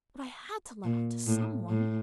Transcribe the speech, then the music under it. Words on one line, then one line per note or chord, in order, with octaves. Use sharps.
But I had to let off to some one.
A#2
A2
A2